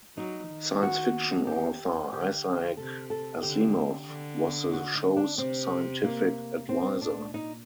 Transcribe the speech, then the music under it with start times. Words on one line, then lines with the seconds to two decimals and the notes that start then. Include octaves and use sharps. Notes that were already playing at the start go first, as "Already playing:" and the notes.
Science fiction author Isaac Asimov was the show's scientific adviser.
0.17 F#3 D#4
0.49 D#3
0.83 F#4
1.47 G4
2.13 D3 G4
2.77 C3 A4
3.10 A4
3.42 D3 G4
4.09 D3
4.73 F#4
4.95 D#4
5.17 D4
5.38 C3 C4
6.04 A#3
6.69 A#2 C4
7.02 D4
7.34 D#4